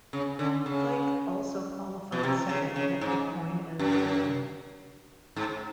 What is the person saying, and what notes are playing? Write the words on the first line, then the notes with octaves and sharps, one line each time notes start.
Fike also qualified second at DuQuoin and Berlin.
C#3
D3
C#3
B2
C3
C#3
C#3
G#2
F#2
G#2